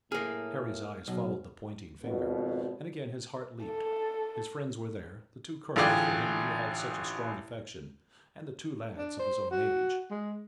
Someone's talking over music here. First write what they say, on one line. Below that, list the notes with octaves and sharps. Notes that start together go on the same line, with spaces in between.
Harry's eyes followed the pointing finger, and again his heart leaped. His friends were there, the two colonels for whom he had such a strong affection, and the two lads of his own age.
A2 A#3 G#4 F6
B1 F#3
G#1 F2 B2
A4
A1 D3 F4 G#4 D5 G5
D4
C5
F#4
G#3